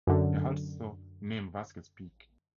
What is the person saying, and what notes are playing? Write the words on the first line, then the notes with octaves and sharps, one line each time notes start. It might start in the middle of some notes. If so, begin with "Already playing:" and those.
He also named Vasquez Peak.
F#2 D3